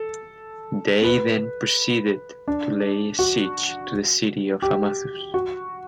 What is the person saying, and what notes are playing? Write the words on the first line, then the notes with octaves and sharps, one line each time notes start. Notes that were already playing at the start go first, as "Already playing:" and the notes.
They then proceeded to lay siege to the city of Amathus.
Already playing: A4
B4
D4
F#4
G4
F#4